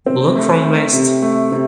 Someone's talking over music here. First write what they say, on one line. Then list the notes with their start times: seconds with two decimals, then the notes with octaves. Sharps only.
Block from west.
0.06 C4
0.36 A3
0.65 A3
0.93 C3
1.22 A3
1.52 C3